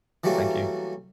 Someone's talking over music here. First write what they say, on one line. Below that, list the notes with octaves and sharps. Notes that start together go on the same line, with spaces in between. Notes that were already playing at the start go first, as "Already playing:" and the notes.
Thank you.
E3 F#3 G3 A3 A#3